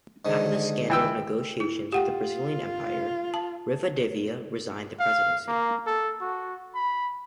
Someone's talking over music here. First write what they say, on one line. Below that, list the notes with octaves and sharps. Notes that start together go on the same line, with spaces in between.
After the scandal of negotiations with the Brazilian Empire, Rivadavia resigned the presidency.
G#2 D3 D#3
E3 G5 E6
E4
F4 G4 F#5 G5
A5
F5
A#3
A4
F#4
B5